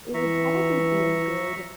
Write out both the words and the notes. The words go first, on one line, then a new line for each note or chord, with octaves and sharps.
it would probably be a good
E3 E5 A#5 C#6